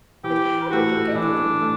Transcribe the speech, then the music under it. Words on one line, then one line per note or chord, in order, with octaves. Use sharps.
"But how did you get in?"
E3 G4
A3 E4 F#4 G4
E3 D4
A3